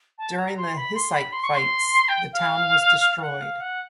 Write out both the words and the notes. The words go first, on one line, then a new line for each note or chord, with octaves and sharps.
During the Hussite fights the town was destroyed.
A5
A#5
C6
B5
C6
B5
C6
C#6
C6
G5
F5
F5
F#5
F5
F#5